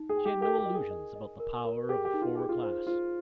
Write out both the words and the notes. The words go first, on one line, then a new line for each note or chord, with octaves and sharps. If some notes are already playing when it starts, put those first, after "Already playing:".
She had no illusions about the power of the former class.
Already playing: D#4
G#4
G5
G4
G4 A#4
G4
D#5
G#4
D#5
D#5
A#4
A#4
G4 G#4
G4
D#4
F4
G4 G#4
F4
C5
F4 C5